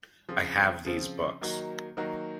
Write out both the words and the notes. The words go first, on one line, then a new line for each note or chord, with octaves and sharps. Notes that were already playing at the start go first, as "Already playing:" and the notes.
I have these books.
C#3 F3 C4
C#3 F3 C4
D#3 F#3 A#3 D#4 F#4
D#3 F#3 A#3 D#4 F#4